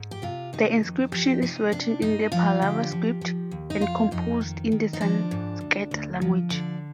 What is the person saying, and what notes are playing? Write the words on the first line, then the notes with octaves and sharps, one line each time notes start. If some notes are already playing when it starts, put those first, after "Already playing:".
The inscription is written in the Pallava script and composed in the Sanskrit language.
Already playing: G#2
G4
C3 F4
D#3 D#4
F2
F3 G4
C3 D#4
C3 D4
G2 D#4
F3 F4
D3 G4
F3
F3
D#2
D#4
F2 F4
F2 D#4
D#3
D#3
D#4
F3 D4
G#2
D2
D2
F3
D3 D5